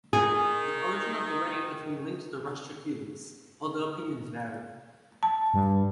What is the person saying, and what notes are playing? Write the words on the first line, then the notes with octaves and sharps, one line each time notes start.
The origin of the Reddy has been linked to the Rashtrakutas, although opinions vary.
D#3 G#4
A5
G2